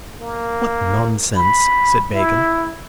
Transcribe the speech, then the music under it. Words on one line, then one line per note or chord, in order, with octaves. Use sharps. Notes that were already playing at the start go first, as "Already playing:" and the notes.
"What nonsense," said Bacon.
A#3
B5
E4